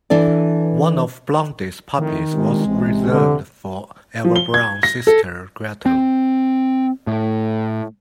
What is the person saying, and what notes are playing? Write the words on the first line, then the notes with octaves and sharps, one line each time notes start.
One of Blondi's puppies was reserved for Eva Braun's sister Gretl.
E3 D4 A4 D5
F2 A2 D#3
G1 C3 G#3
A1 C3
D3
F3
G7
G#6
A#6
A4
C4
A2